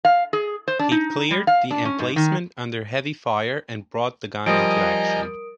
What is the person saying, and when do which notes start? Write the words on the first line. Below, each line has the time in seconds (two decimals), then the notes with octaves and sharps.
He cleared the emplacement under heavy fire and brought the gun into action.
0.05 F5
0.33 G#4
0.68 C5
0.79 D4
0.91 D#4
1.31 G3
1.47 F5
1.71 D4
1.85 C#4
1.99 G#2
2.16 D#3
4.46 F3 G3 A#4 D#5 G#5 A#5 D#6 D7